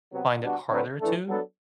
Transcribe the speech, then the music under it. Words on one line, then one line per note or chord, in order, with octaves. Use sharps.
find it harder to.
C3 F#3 B3
B2 G3 D4 F#4
D3 F#3 C4 F#4 B4
A2 E3 A3 D4 A4
F#3 B3 D4 A4